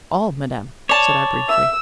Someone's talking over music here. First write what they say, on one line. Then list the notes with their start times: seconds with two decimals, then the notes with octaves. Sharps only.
"All, madame," said I, briefly.
0.89 C#5 D5 A5
1.49 E5 E6